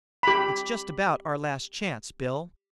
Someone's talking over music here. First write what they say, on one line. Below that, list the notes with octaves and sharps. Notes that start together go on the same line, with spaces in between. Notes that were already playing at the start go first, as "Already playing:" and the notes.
It's just about our last chance, Bill.
G4 B5